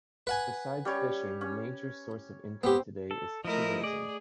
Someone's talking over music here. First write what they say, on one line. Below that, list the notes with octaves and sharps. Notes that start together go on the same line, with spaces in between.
Besides fishing, the major source of income today is tourism.
B4 F#5 G#5
G3 C#4 C#5
C#4
B3 C4 G4 C5 G5
A4
F3 A3 E4 A#4 D#5
G#4 D5 D#6